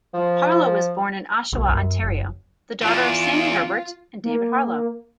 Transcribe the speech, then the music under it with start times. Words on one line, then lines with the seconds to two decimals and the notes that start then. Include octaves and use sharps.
Harlow was born in Oshawa, Ontario, the daughter of Sandi Herbert and David Harlow.
0.14 F3
1.53 B1
1.68 F#2
2.02 F#1
2.82 E2 F4
4.24 A#3